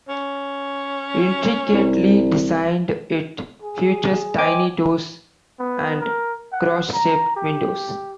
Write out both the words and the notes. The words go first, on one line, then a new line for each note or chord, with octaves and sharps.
Intricately designed, it features tiny doors and cross-shaped windows.
C#4
C2
G#4
C5 D#5 G5 G#5 D6
B3
A#4
F#5
A#5
G4